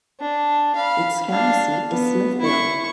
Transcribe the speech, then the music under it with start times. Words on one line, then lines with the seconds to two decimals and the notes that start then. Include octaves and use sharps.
Its county seat is Smithville.
0.20 D4
0.75 F5 B5
1.29 D4 F5
1.90 B3
2.41 E4 C#6